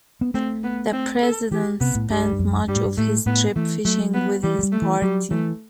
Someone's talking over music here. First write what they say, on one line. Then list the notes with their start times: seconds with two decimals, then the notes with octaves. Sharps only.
The president spent much of his trip fishing with his party.
0.21 B3
0.34 A3 C4
0.64 B3
0.93 C4
1.22 A4
1.51 E3 G4
1.80 C3 B3
1.95 A2
2.10 G2 G3
2.32 G2
2.39 F#2
2.68 G2 G3
2.76 A2
2.85 G2
2.97 A2 A3
3.26 A2 B3
3.56 E3 A3
3.85 F#3 A3
4.14 B3
4.43 E3 G3
4.59 F#3
4.63 G3
4.72 A3
4.82 E3
5.02 F#3 G3
5.31 E3 A3